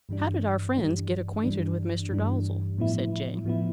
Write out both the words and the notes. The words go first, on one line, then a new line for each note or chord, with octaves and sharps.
"How did our friends get acquainted with Mr. Dalzell?" said Jane.
G2 E3 G3 D4
G2 E3 G3 D4
G2 E3 G3 D4
G2 E3 G3 D4
A2 F3 B3 E4
A2 F3 B3 E4